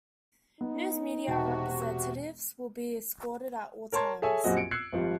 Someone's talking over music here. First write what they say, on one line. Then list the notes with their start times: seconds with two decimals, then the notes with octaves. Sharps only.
News media representatives will be escorted at all times.
0.61 B3 D#4
1.27 E1 C3 F#4 G5 A5
3.92 A#4 C#5 A5 C6 G#6
4.22 G#4 A4 C#5 E5 G#5
4.44 A#1 F#2 G3 C4 F#4 D#5
4.57 C#7 D7
4.71 E6 F#6 G#6 C7 C#7
4.92 G#1 F3 G3